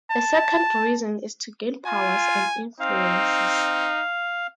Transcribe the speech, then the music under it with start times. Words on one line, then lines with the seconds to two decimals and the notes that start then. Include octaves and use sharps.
A second reason is to gain powers and influences.
0.10 A5
1.86 F4 G#5
2.80 C4 D#4 F5